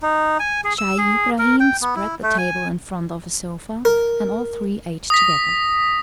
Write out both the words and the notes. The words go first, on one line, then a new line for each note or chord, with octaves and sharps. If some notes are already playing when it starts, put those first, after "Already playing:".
Scheih Ibrahim spread the table in front of a sofa, and all three ate together.
D#4
G#5
G#4
E6
G#4
A#4
G5
B3
E4
A3
G#5
A#4
D#6 A#6 B6